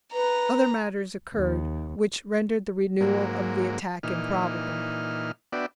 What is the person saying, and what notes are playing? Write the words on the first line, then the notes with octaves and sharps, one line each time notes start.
Other matters occurred which rendered the renewal of the attack improbable.
B4 A#5
D#2
G#2 F#3 A#3
A#2 E3 D#4 F6
B3 D4 F#4 D5 E5 G5